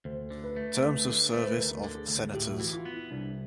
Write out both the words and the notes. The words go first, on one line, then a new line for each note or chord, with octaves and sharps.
Terms of service of senators.
D2 C5
D3
B4
A3
D2 B4
D3
A3 C5
B4
D2 A#4
D3
G#4
D2
A2 G4
F#4
E3
F4
B3
E4
C2 D4